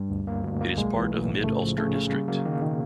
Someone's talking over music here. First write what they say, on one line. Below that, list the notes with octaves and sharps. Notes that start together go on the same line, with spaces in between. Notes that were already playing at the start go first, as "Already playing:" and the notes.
It is part of Mid-Ulster District.
Already playing: G2 G3
D2
A#3
D2
A#3
B1 G#3
E3
B1 A3
A2
C#3 A3
F3
C#3 A3
C#3
G3 A#3
F#3 A#3
D#3 A#3
B2 D#3